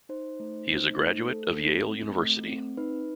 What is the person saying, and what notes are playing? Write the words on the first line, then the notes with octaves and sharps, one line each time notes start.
He is a graduate of Yale University.
D#4 C5
A3
D#4
A3
A4
A3
C4
A3
C4
D#4 B4